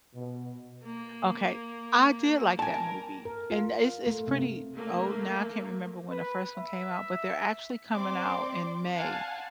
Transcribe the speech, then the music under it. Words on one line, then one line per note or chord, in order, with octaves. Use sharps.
Okay, I did like that movie and it's it's pretty old now I can't remember when the first one came out, but they're actually coming out, in May,
B2
A#3
A#4 G#5 A5
A#4
F4
A3
C3
A3 A#3
B4
E5
C4 D5 C6 D6
F5 F#5 G#5 A5